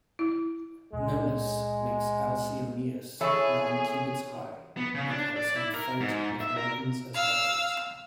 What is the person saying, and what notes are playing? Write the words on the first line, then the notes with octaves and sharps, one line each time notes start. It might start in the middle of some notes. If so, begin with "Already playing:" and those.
Nonnus makes Alcyoneus nine cubits high, and has him fight with mountains as weapons.
E4
C#2 A#2 G#3
E3 G#4 A4 C#5 E5 C#6
B3
C#3
D4
D5
E4
A#4
G#2
E5
A#4
F5 E6